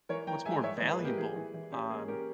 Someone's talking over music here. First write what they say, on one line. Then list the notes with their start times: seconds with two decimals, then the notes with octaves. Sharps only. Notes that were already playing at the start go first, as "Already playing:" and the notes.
what's more valuable, um
0.09 E3 A#4 C#5
0.27 E3 G5 A#5
0.45 G#3 E5 G#5
0.63 E3 C#5 E5
0.77 B4 D#5
0.82 E3
0.90 G#4 B4
0.99 A#3
1.04 G4 A#4
1.18 E3 G#4
1.36 E3
1.54 E3
1.72 C#4 G4
1.90 A#3 G#4
2.08 C#4 G4 A#4